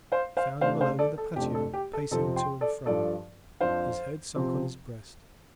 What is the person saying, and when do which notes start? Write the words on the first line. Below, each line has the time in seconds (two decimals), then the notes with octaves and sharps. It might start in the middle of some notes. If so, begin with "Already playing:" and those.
He found him alone in the patio, pacing to and fro, his head sunk on his breast.
0.12 C5 F5
0.37 C5 F5
0.61 C3 A3 D4 C5 F5
0.81 C5 F5
0.99 A4 D5
1.18 A4
1.36 F2 C3 A3 D4 G4
1.55 A4
1.73 G4
1.93 A4
2.11 F2 C3 F3 C4 A4
2.36 G5 C6
2.61 A4 D5
2.86 G2 F3 D4 A4 D5
3.60 F2 F3 D4 C5 F5
4.36 C3 F3 C4